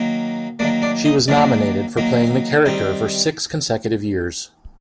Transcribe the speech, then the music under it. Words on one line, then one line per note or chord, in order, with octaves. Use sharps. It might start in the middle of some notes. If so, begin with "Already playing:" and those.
She was nominated for playing the character for six consecutive years.
Already playing: D#3 F#3 A#3
D#3 F#3 A#3 D4 D5
D4 D5
D#4 D#5
D#3 F#3 A#3 D4 D5
D#3 F#3 A#3
D#3 G3 C4 D#4